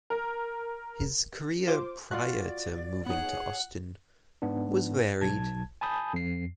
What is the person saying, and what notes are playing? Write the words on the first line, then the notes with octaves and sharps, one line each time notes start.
His career prior to moving to Austin was varied.
A#4
F4 C5 D6
F4 F#4 D5 F#6
B3 D#4 G#4 C#5 F#5
G#2 B3 D4
B1 A5 G#6
G#5 A5 B5 D#6 G6
F2 C7